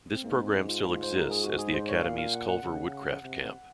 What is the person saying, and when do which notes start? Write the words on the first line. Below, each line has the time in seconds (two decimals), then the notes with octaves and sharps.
This program still exists as the Academy's Culver Woodcraft Camp.
0.13 C4
0.24 G#2 A#3
0.39 C4
0.48 C#4
0.55 D#4
0.69 F4
0.84 F4
1.03 C5
1.17 A#4
1.31 G#4
1.44 F#4
1.59 G#4
1.74 C5
1.89 C#5
2.03 A#2 F5
2.18 F5
2.33 F#5
2.48 F#5
2.63 C#3
3.22 C3